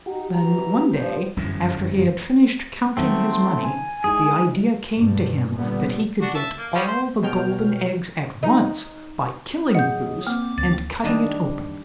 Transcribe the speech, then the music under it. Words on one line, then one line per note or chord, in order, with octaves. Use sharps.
Then one day, after he had finished counting his money, the idea came to him that he could get all the golden eggs at once by killing the Goose and cutting it open.
D#4 F#4 G4
E3 A#5
G2 F3 C5
G1 F#2 A2 E3
D#3 F#3 A3 C4
C6
G#5
G#3 D#4 E4 G#4
G2 B2
A#2 D3 G3 B3
D4 F#4
E5 A5
A#3
G3 G#3 C#4
C5
B2 F#3 G#3 C#5 G5 F6
D#4
F#3 G#4 D#5 F#5 G6
A#3 C4 G5 D6
D2 A6
D#3 G3 D4 D#5